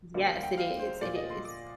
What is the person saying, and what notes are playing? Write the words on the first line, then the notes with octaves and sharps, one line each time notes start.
Yes, it is, it is.
D2 D3 G3 A#3
F5
G5
F5
C5
A#2 F3 A#3 D5
D#5
C6
D6